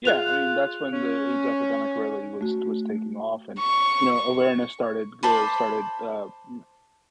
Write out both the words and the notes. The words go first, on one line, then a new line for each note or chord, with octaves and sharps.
Yeah, I mean, that's when the AIDS epidemic really was was taking off and, you know, awareness started g started, uh, m
F4 G#4 F#6 F7
C#4
A3 F#4
C#6
C5 A5 B5 D6